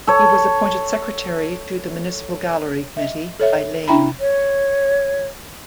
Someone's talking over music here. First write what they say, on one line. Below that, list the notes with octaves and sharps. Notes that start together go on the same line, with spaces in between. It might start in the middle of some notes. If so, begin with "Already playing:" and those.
He was appointed secretary to the municipal gallery committee by Lane.
A4 C#5
D#5 E5
A4 C#5 E5
D4 E4 E5 G5 A#5 B5
C#5